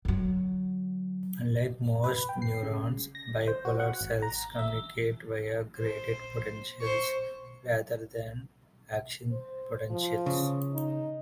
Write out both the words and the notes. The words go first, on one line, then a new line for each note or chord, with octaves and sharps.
Unlike most neurons, bipolar cells communicate via graded potentials, rather than action potentials.
D3 F#3
B4
G5
C7
C#3
A#6
C5
F#4
F#5
G#1
A#5
E5
C5
C5 C#6
C5
F3
C#3
D#4